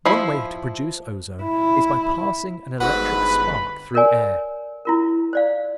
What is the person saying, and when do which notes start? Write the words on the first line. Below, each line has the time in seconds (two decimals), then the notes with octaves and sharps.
One way to produce ozone is by passing an electric spark through air.
0.05 F3 E4
1.43 E4
2.80 G1 G#2 F#3 B4 F#5 B5
3.94 A4 A#4 C#5 D5 G#5
4.85 E4 F4 A#4
5.33 C5 D5 F5